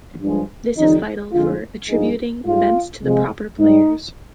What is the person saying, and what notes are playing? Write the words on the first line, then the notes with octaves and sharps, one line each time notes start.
This is vital for attributing events to the proper players.
G2 F3 G#3
F2 D#3 G3 D#4
F2 D3 G#3 F4
G2 F3 G#3 D#4
G#2 G3 F4
C3 F3 G#3
G#2 G3 D#4